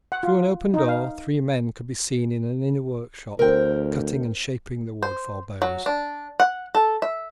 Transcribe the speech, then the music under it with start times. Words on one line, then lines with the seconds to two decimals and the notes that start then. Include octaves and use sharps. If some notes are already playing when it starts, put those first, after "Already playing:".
Through an open door three men could be seen in an inner workshop cutting and shaping the wood for bows.
0.12 F#5
0.23 F4
0.74 D#4
0.88 F5
3.39 D2 C4 A#4 G5
5.03 C5
5.62 F#3
5.86 D4
6.40 F#5
6.75 A4
7.02 E5